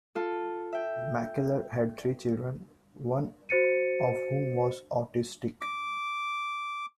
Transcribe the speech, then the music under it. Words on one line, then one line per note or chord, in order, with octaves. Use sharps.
Mackellar had three children, one of whom was autistic.
F4 A4
E5 G5
F#4 C5 A6 C#7 D#7
D6